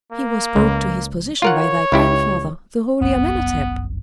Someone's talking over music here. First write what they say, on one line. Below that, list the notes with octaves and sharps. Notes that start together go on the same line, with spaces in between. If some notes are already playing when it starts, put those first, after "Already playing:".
"He was brought to his position by thy grandfather, the holy Amenhotep."
A#3
C#2
F4 A#4 C#5 F#5
C#2 E4 G4
G1 C2 F#2 B3